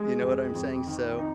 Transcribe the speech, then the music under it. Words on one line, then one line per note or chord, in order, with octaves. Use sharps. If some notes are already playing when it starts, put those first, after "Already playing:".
You know what I'm saying, so
Already playing: G#3
F2
F2
D#3
D#4